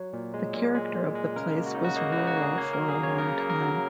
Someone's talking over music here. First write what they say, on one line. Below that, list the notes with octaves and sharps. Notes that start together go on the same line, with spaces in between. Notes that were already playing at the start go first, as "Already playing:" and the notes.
The character of the place was rural for a long time.
Already playing: F#3 C#5
A#2
G#3
A#2
G#3
A#2
G#3
C#3 A#4
A#3
F#4
C#3 D#4
F#4
A#3 D#4
F#4
C#3
F#4
A#3
G#4
A#3 C#5
F#3 A#4
G#4
C#3 C#5
C#3 A#4
A#3
A#4
F#3